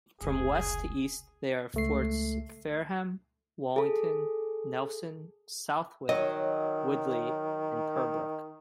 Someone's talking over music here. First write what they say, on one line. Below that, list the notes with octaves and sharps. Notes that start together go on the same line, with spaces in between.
From west to east they are forts Fareham, Wallington, Nelson, Southwick, Widley and Purbrook.
F1 C#2 G#4
C#2 A3 C7
G#4 A4
D#3 F#3 D#5